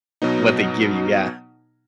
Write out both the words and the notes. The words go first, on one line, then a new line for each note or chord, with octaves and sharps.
what they give you, yeah.
B2 F#3 B3 D#4